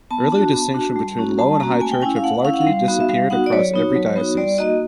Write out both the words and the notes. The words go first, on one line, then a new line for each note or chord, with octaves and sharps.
Earlier distinctions between Low and High Church have largely disappeared across every diocese.
B3 A5
D4 F#4
B3
D4 F#4
G3
A#3 C#4 F#4
G3 A5
A#3 C#4 F#4 A#5
A3 G#5
G5
C#4 E4 G#5
F5
A3 F#5
C#4 E4 F5
F#5
F5
G3
B3 D#4 F#4
E5
G3 F5
B3 D#4 F#4 F#5
D5
F#3 C#5
B3 D#4 F#4
F#3
B3 D#4 F#4
G3 D5
A#3 D#4 F#4 D#5